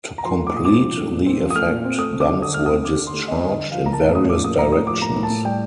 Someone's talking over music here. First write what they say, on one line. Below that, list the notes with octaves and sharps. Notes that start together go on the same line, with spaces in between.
To complete the effect, guns were discharged in various directions.
A#5
F3 C6
A3
D6
A#2 D#6
C4 D6
F3
A3
A#2
C4
F3
D#6
A3 F6
A#2
C4
A3 D#6
C4
D6
D3
D3 D#6
A3 F6
C4 D#6
D3 D6
D3
C6
A3
C4 D#5
D3
D#5
D3
F3 F5
A#3 A#5
A5
A2
A2 D#6
F3 D6
A#3 D#6
A2 A#5
A2 D#6
F3 D6
A#3 A#5
A2
A5
A2
G3 G5